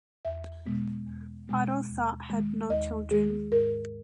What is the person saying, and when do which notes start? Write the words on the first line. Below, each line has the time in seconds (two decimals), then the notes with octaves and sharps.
Otto Thott had no children.
0.25 E2 E5
0.65 B2 G#3 B3
1.06 E2
1.48 B2 G#3 B3
1.89 D#2
2.29 D#3 G#3
2.70 D#2 D#5
3.11 D#3 G#3 G#4
3.52 G#2 A#4